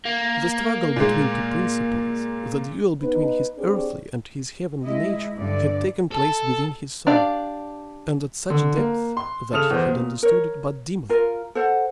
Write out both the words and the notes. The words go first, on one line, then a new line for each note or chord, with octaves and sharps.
The struggle between two principles--the duel between his earthly and his heavenly nature--had taken place within his soul, and at such a depth that he had understood it but dimly.
A#3
A#2 G#3
B3 D#4 B4
C4 D4 G4 G#4 C#5 D5
G#3 E4 D#5
G2 D3 D5
A4 A5
D4 G4 D5 F5
D3
A#3
C6
C#3 A4 D#6 F6 E7 F7
E2 C5
A#2
A#4 C#5
F4 A#4
A4 C5 F#5